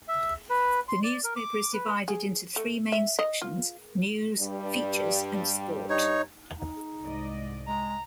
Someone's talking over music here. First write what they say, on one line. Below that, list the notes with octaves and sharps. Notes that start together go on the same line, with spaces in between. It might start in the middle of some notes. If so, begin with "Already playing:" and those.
The newspaper is divided into three main sections - news, features and sport.
E5
B4
C6
D5
A#4
D6
B4
G#4
A3
E5
D#5
F4
G2 G3
D#4 C#5
D#4
C2 G#2 D5 D#5
G#3 A#5